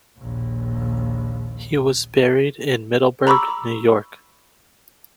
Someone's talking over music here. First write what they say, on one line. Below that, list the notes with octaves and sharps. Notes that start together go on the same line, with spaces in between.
He was buried in Middleburgh, New York.
A#1 D#2
A#5 B5 C#6 D6 E6